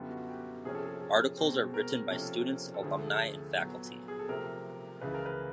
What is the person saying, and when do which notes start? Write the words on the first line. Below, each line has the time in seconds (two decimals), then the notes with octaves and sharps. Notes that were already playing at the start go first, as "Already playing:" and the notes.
Articles are written by students, alumni and faculty.
Already playing: F#2 D3 G3 B3 F4
0.10 F#4
0.28 G4
0.64 C3 F3 A#3 C#4 G#4
0.75 A4
0.84 G#4
1.00 A4
1.38 B2 G#3 C4
1.74 A#4
2.10 C3 F3 A#3 C#4 A4
2.74 A4
2.83 D2 D3 F3 A3 G#4
2.98 A4
3.07 G#4
3.20 A4
3.57 A#2 F#3 B3
4.08 G#4
4.19 A4
4.29 C3 F3 A3 A#4
5.01 C#2 C#3 E3 B4
5.14 A#4
5.26 B4